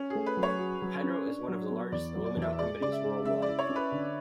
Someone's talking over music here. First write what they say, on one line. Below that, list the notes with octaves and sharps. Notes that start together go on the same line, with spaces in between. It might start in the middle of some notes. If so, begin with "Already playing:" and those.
Hydro is one of the largest aluminium companies worldwide.
Already playing: C#4
A3 G#4
B4
F#3
C#5
F#4
F#3
C#4
D4
F#3
B3
E2 D5
F#3
D5
E2
E5
E5
G#3 D5
C#3 D5
E5
G#3
C#3 E5
D5
E4
C#5
C#4
B4
D3